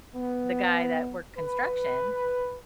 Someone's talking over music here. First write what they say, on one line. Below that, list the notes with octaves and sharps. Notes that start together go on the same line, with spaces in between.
the guy that worked construction,
B3
B4